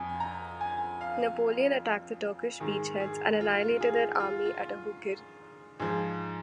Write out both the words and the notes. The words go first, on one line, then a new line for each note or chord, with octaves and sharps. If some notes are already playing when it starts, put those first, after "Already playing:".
Napoleon attacked the Turkish beachheads and annihilated their army at Aboukir.
Already playing: F2 F3 G#5
A#5
G#5
F5
G#2 D#3 G#4
G#4
F4
F4
G#4
F4
F4
G#2 F3 G#4